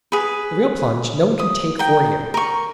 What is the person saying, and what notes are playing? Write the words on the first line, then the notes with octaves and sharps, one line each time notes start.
The real plunge no one can take for you.
G#4 B4
D#6
A#4 G5
A#4 C#6